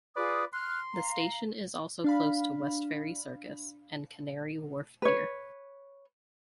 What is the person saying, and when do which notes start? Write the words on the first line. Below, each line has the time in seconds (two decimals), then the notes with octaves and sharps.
The station is also close to Westferry Circus and Canary Wharf Pier.
0.16 F4 G#4 B4 D5 D#6
0.53 C6 F6 F#6
0.93 F5 A#5
2.04 D4 F5 B5
5.02 B4 C#5